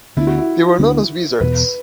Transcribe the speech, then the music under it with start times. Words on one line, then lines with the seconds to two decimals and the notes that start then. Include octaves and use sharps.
They were known as "wizards".
0.17 D2 D3 B3 D4 E4
0.27 F#4
0.38 E4
0.79 D2 D3 B3 D4
1.40 E2 B2 B3 B4